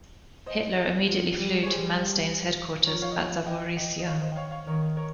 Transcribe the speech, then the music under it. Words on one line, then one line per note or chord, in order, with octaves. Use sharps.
Hitler immediately flew to Manstein's headquarters at Zaporizhia.
C5 D#5
F3
G3
C#5
G3 G#4 C5
F3 A#4 C#5
C#5 F5
D#5
C#5 F5
D#5 G5
D#5 G5
D#5
D#3 C#5 F5
C5 D#5
G5
C#5 F5
C#5 F5
D#3 A#4 C#5
A#4 C#5